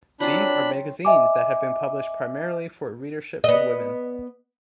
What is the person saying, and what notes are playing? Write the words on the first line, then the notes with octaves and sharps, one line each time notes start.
These are magazines that have been published primarily for a readership of women.
F#3 C4 D4 F4 B5
D#5 E5 G#5 D6
B3 D#5